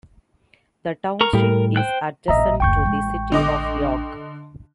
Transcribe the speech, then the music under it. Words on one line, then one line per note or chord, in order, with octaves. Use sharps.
The township is adjacent to the city of York.
A#4 A#5 C#6
A2 G3 A#4
C5 G5 F#6
A1 A#2 D#5 E5 A#5
F#1 D2 G5 C#6 G6
A1 G#3
D3 D#5 D6